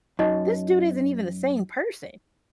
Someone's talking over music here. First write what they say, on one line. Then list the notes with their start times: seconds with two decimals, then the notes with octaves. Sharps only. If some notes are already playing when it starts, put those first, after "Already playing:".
this dude isn't even the same person.
0.19 F#2 D#4 F#4 D#5